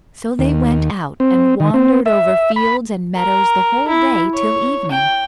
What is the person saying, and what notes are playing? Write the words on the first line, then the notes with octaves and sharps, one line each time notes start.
So they went out, and wandered over fields and meadows the whole day till evening.
D#2
C4
D#3
C4
E5
B5
A#4
E4
C#5
G5